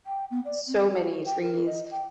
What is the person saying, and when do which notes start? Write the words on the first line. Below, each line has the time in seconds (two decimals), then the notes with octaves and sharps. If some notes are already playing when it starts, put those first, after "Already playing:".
so many trees,
0.06 G5
0.31 B3
0.45 D5
0.67 C4
0.91 F#4
1.26 G5
1.42 A#4
1.65 D#5
1.91 G5